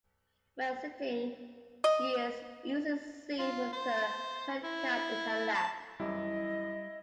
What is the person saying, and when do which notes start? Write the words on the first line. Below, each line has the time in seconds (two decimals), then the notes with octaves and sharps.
When sitting, she is usually seen with her pet cat in her lap.
1.84 D#5
3.39 F4
3.72 C5
4.63 E4
5.55 A5
6.00 F#2 E3 G3 E4 D#5